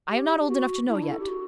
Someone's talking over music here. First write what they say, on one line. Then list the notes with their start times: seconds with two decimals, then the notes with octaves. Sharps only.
"I am not old enough to know yet."
0.08 G4
0.38 G4
0.48 F#4
0.88 E4
0.96 D4
1.03 E4
1.11 A4
1.20 G4
1.28 F#4